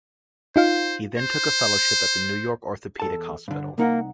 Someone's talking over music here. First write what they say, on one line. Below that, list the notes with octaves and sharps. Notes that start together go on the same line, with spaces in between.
He then took a fellowship at the New York Orthopedic Hospital.
D#4 F4 C5 F5
C5
E2 A4 A5
G2 D3
C2 A#3 D#4 F#5